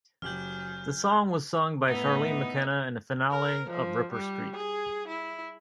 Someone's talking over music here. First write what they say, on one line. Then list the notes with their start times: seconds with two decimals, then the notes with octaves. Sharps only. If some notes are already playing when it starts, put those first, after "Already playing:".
The song was sung by Charlene McKenna in the finale of "Ripper Street".
0.22 F#1 F#3 G4 G#4 F6 G6 F#7
1.89 A2 B3 D#4 B4 E5
3.31 A#4
3.70 F3
4.12 G3
4.56 G#4
5.08 E4